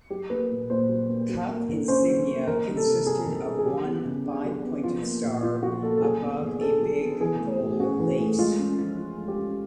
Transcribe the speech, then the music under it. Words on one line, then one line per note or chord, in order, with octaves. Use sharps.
Cuff insignia consisted of one five-pointed star above a big gold lace.
F#3 G4
A#3 B4
A#2
A#2 C5
F#3
A#3
F#3
A#3
D3
C#4 C5
F#3
A#3
D#3 A#4
G3
A4
C3
C4 G#4
D#3
G3
G#4
F#3 G4
B3
C#3
D4
F#3
B3
F3 F4
A#3
A#2
A#2 F4
F3 F#4
A#3 A4
A4
F#3 G#4
B3
D#3
D4 A4
F#3
B3
E3 G#4
A3
A2
C#4 F#4
E3
A3
G#3 F4
C#4
F3
F3
G#3
G4
C#4